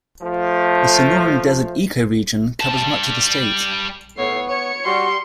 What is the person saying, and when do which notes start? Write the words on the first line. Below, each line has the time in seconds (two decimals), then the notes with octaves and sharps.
The Sonoran Desert ecoregion covers much of the state.
0.22 F3 A3
2.60 G3 A5
4.18 A2 B3 C#5 C7
4.49 C#5 C#7
4.85 G3 F#4 C6